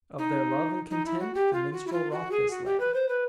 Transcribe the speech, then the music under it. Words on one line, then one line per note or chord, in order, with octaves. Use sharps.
Of their love and content the minstrel wrought this Lay.
D#4
D#4
E4
F#4
G4
F4
F#4
E4
F4
F#4
G#4
F#4
G4
B4
C5
B4